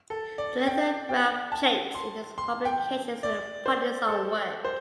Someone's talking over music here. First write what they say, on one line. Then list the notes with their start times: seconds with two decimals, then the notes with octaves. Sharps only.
The lithographed plates in his publications were in part his own work.
0.10 A4
0.38 D5
0.67 G5
1.09 G5
1.52 A5
1.95 C6
2.38 C6
2.65 G5
3.23 D5
3.66 C5
4.08 A4
4.65 C5